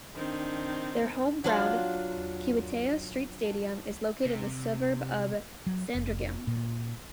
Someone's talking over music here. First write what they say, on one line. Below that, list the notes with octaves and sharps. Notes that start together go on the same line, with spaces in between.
Their home ground, Kiwitea Street Stadium, is located in the suburb of Sandringham.
D#3 C4 D4
F#3 D4 F4
C3
F#3
F1
A#2